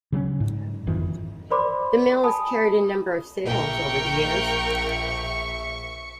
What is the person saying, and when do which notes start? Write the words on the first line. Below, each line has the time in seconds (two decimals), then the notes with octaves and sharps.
The mill has carried a number of sails over the years.
0.12 C#3 F#3 C4 C#4
0.40 G#2
0.87 F#1 F2 D#3 E3
1.50 A#4 C5 D5 B5 C6 D6
2.24 G#5 A5 B5 D#6
3.45 A#1 A#4 E5 G5 C#6